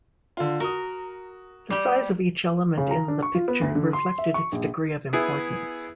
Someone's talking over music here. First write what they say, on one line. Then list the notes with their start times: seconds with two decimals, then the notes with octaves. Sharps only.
The size of each element in the picture reflected its degree of importance.
0.37 D3 F4
0.60 F#4 A#4 D#6
1.70 G3 G4
2.77 C#3
2.91 A#5
3.08 D4
3.22 C#6
3.35 F4
3.48 B3
3.62 D2
3.75 D3
3.93 C6
4.18 E5
4.34 C#6
4.52 A#1
5.13 B3 E4 G#4